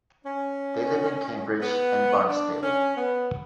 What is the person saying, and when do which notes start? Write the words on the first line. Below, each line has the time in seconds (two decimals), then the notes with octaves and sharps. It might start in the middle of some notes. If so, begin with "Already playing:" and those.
They lived in Cambridge and Barnstable.
0.24 C#4
1.60 B3
2.27 D4
2.62 C#4
2.96 B3